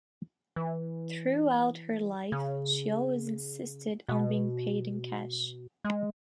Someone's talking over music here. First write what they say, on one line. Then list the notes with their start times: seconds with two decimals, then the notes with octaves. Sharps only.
Throughout her life she always insisted on being paid in cash.
0.56 E3
2.32 C#3
4.09 B2
5.85 G#3